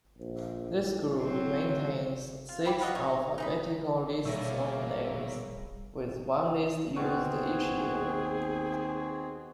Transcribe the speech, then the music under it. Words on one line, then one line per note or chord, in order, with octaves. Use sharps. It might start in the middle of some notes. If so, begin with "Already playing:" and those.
This group maintains six alphabetical lists of names, with one list used each year.
A#1
A2
F#3 C4
F4
E4 G4 B5 D6
F4 F#4 D#5
D#4 C#5
D#4 G#4 B5
B2 G3 A#3 G#4 A#4 C#5 E5
D#2 B2 C4 F#4 G#4